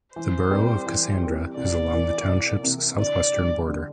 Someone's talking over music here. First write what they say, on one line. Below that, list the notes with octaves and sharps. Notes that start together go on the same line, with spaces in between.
The borough of Cassandra is along the township's southwestern border.
E3 C5
G3 C4 G4 A#4
E3
G3 C4 G4 A#4
C2 D5
C3 E3 A#3
C2
C3 E3 A#3
D3 D5
G3 D4
D3